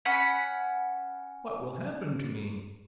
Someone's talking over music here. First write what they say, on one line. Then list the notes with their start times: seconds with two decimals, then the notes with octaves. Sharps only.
What will happen to me?
0.05 C#4 F#5 B5